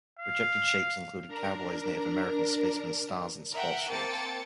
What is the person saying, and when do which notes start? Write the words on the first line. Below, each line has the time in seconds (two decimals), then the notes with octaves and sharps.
Rejected shapes included cowboys, Native Americans, spacemen, stars, and sports shapes.
0.19 F5
1.27 D4 A#4 A#5
3.52 A#4 E5 F#5 G5
3.89 A#3 C4 G5 A5 A6 C#7